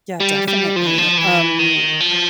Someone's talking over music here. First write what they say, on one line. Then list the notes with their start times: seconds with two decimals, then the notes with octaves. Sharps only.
yeah, definitely. Um
0.20 G3
0.48 G3
0.76 F3
0.87 E3
0.98 F3
1.18 E3
1.59 D#3
2.00 F3